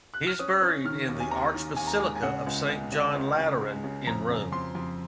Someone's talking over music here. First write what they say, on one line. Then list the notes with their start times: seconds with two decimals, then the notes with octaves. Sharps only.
He is buried in the Archbasilica of Saint John Lateran in Rome.
0.14 F#6
0.27 F6
0.39 C#4 D#6
0.62 C#4
0.85 D#3 F6
1.08 D#2
1.20 G#5
1.31 D#2 A#5
1.54 D#3
1.76 D#2 G#5
1.87 A#5
1.96 G#3 G#5
2.16 G#5
2.22 C#3 F#5
2.46 C#2
2.69 C#2
2.92 C#3
3.14 C#2
3.38 C#3
3.61 G#3
3.84 C#3
4.07 F2 A#5
4.30 C#3
4.52 F2 C6
4.75 F2